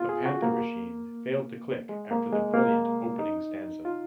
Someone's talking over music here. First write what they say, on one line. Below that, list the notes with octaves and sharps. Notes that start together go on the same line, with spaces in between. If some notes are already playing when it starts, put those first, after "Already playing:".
The Panther machine failed to click after the brilliant opening stanza.
Already playing: B3 F4
G#4
F#4
A#3
G#3
A#3
G#3
A#3
D#4
F4